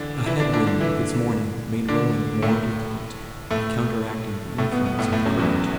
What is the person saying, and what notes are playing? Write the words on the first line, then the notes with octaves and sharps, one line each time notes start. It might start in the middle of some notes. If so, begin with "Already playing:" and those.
A head wind this morning made rowing more difficult, by counteracting the influence of the current.
Already playing: D3 E3 D4
E3 E4
D3 D4
D3 D4
D3 D4
E3 E4
D3 D4
A2 A3
A2 A3
A2 A3
B2 B3
B2 B3
A2 A3
A2 A3
F#2 F#3
E2 E3